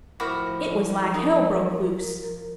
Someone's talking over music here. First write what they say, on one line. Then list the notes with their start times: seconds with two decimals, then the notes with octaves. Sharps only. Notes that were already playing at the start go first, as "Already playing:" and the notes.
It was like hell broke loose.
0.20 A2 F3 E4 F#4 A#4 C5 B5 D6
1.14 D#4 A#4